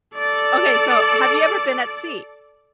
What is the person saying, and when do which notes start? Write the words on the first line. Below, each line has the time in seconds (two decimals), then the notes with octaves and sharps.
Okay, so have you ever been at sea?
0.14 A4 D5